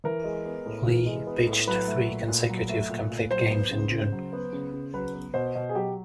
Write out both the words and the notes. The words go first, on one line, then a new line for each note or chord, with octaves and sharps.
Lee pitched three consecutive complete games in June.
E3 A#4
G#3
B3
A2
E3
G#3
B3
A2
F#3 B4
A3
A#2
A#2
F#3
A3
A#2
A#2
F#3 C5
B3
C#3
C#3
F#3
B3
C#3
C#3
F#3 B4
B3
B2 C5
B2
G#4
F#3 G4